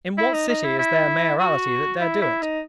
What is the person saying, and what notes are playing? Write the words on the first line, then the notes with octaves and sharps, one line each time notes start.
In what city is there a mayoralty that dare do it?
E4
D#4
D#4
E4
E4
F#4
E4
E4
D#4